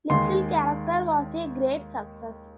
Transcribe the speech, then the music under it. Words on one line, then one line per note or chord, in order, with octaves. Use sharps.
"Little Character" was a great success.
D#2 D#3 G#3 C6